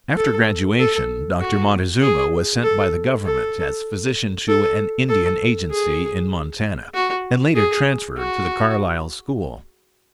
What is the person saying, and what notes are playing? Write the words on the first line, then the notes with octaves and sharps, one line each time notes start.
After graduation Dr. Montezuma was sent by the Government as physician to an Indian agency in Montana, and later transferred to the Carlisle school.
A4
A4
F#4
G#4
A4
A4
A4
A4
G#4
F#4
G#4
F#4